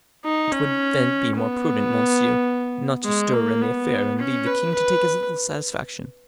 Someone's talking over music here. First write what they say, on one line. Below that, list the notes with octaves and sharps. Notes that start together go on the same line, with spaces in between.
"It would then be more prudent, monsieur, not to stir in the affair, and leave the king to take this little satisfaction."
D#4
C#4
B3
G#3
A#3
B3
C#4
B4
B4